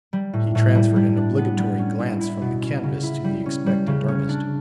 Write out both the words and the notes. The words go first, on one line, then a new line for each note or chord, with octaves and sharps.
He transferred an obligatory glance from the canvas to the expectant artist.
G3
A2
A2
G3
G3
D4
B3
G3
C#4
E4
E4
B2
C#4
C#3
E4
G3
C#4
G3
C#3
C#4
D4